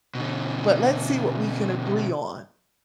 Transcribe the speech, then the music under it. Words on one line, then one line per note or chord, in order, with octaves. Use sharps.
but let's see what we can agree on,
B2 D3